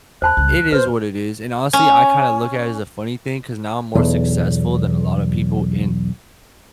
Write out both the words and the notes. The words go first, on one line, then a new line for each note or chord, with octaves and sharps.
it is what it is, and honestly, I kinda look at it as a funny thing 'cause now I'm more successful than a lotta people in
E2 C5 A5 B5 F#6
C#2 G3
D2
F#3 B4 C5
C#4
B1 E2